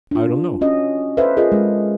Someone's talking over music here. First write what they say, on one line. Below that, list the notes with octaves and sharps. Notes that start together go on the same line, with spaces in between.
"I don't know."
D4 F4
C#4 F#4 D#5
A4 B4 C5 D5 E5 F5
F4 G#4 A#4 D#5
G#3 A4